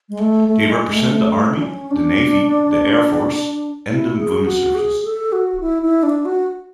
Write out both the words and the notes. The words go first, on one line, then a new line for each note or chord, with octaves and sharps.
They represent the Army, the Navy, the Air Force, and Women's Services.
G#3
A3
A3
G#3
A3
A3
A3
D4
C#4
D4
E4
G#4
F#4
G#4
A4
F#4
E4
E4
D4
F#4